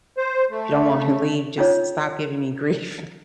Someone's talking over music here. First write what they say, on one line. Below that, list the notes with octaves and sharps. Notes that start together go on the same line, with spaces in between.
"If you don't want me to leave, just stop giving me grief
C5
A3
C#4 D#4 F4 C#5